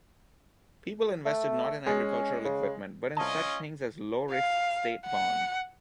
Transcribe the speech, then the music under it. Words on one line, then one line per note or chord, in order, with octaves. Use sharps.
People invested not in agricultural equipment but in such things as low-risk state bonds.
A3
G#3 C#4
C#3
C2 C#4 F4 D#5 A5
F5
F#5